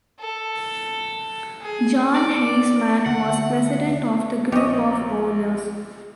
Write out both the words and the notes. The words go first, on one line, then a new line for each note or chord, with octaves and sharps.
John Heisman was president of the group of owners.
A4
G#4
D5
D2 F#5
A#1 G4 D#5 C#6